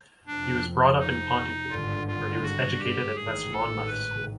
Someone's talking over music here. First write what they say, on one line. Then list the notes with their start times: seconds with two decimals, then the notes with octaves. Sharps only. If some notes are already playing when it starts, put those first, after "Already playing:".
He was brought up in Pontypool, where he was educated at West Monmouth School.
0.25 F1 F2 C3 F3 D4
0.98 D#4
1.70 G#1 G2 D3 F4
2.07 F4
2.43 F#4
2.78 G4
3.15 A1 G#2 D#3 G#4
3.51 A4
3.87 B4